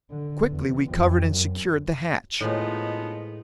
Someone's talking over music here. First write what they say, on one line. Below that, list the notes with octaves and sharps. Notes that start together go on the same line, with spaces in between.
Quickly we covered and secured the hatch.
D3
E2
F2
F#2
A2 F3 G#3 B3 D#4